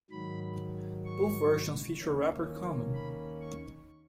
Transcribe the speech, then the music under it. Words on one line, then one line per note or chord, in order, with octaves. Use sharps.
Both versions feature rapper Common.
G#2 D#3 F#3 B5
C#6
D#2 D#3 A#3 C#4
B5
C#6